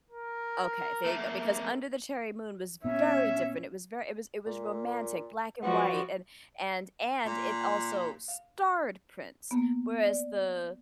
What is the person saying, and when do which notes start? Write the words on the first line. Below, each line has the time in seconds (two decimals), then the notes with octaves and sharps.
Okay, there you go. Because Under the Cherry Moon was very different. It was very it was it was romantic, black and white and and and it also starred Prince. Whereas the
0.10 A#4
1.05 A3 A#3
2.84 A#2 B3 C#4 E5
4.46 A#2
5.62 F3 G3 B3 F#4
7.25 A#2
8.28 F5
9.51 A#3 B3
10.06 D5